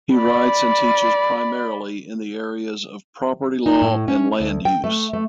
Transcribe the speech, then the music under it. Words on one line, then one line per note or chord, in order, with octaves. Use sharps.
He writes and teaches primarily in the areas of property law and land use.
D5 B5
D#4
A2
C#4
D2
G5
A3
A3